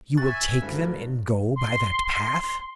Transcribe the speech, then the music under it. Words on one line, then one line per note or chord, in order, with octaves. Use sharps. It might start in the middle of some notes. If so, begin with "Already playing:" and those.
"You will take them and go by that path?"
E5 G#5 C#6 F#6 A6
D2 G2 D#3 A#3
C6